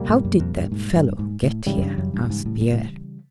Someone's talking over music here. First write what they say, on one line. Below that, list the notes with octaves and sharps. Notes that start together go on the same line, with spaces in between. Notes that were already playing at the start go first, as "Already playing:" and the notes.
"How did that fellow get here?" asked Pierre.
Already playing: C#2 B2 G3 A#3
G#2
F#2
F2
G2
G#2
G2
G#2
A2
G#2 C#3 E3 G3
F#2
G2
F#2
G2
A2
G#2
A2
A#2
A2